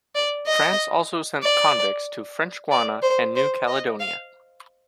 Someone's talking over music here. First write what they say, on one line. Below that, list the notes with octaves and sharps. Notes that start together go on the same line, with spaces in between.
France also sent convicts to French Guiana and New Caledonia.
D5
D#5
D5
D5
C5
C5
D#5
F5